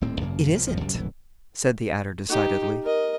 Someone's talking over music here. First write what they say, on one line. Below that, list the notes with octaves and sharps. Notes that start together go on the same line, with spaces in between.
"It isn't," said the Adder decidedly.
D#1 D#2 A2 C4
G#1 F#2 C#3 A#3
C2 F3
G1 F2 F3
C2 F#2 C3
D1 A#1 F#2 E3
D#4 G4
A#4 D#5